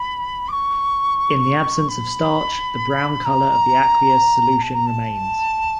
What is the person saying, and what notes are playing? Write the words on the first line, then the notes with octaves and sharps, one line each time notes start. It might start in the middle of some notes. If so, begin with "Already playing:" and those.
In the absence of starch, the brown colour of the aqueous solution remains.
Already playing: B5
D6
C#6
B5
A#5
A5
A#5
A5